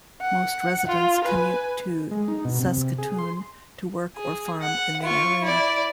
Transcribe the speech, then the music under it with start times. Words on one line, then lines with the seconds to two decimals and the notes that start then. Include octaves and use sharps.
Most residents commute to Saskatoon to work or farm in the area.
0.21 F#5
0.88 F4
1.25 B4 G#5
2.11 G#3
2.28 D#4
2.45 B2
2.59 C3
2.98 G#4
3.18 C6
4.16 G#4
4.62 F#5
5.02 F4 C#6
5.42 E4 D5